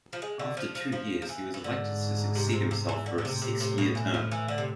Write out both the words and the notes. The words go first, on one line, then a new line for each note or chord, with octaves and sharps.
After two years he was elected to succeed himself for a six-year term.
F3
G#3
D3
F3
F3
F3
F3
E3
E3
G#2 D3
C3
C3
C3
E3
A2 D3
D3
C3
C3
C3
B2
E3
F3
E3
D3
C3